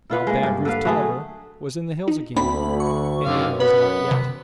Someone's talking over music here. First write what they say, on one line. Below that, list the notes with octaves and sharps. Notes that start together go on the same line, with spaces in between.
Now Bad Rufe Tolliver was in the hills again and the end was not yet.
E4 F4 B4 F#5
G#3 A#3
G2 D5
D3 A#3 B4 F5
F#3 A3 G#4
D#4
D2 A#3 C4 D4 B5
C#6
F#2 B2 D3 D#3 F5
B3 B4
C3